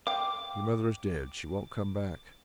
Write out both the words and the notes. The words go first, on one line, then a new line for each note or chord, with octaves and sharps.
"Your mother is dead; she won't come back."
F5 G5 D6